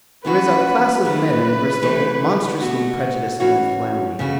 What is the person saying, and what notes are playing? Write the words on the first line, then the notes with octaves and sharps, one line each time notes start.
There is a class of men in Bristol monstrously prejudiced against Blandly.
A2 E3 C#4 F#4 B4
F#2 E3 A3 E4 B4
E3 A3 E4
B2 A3 F#4
E3 C#4 F#4
C#3 E3 A3 F#4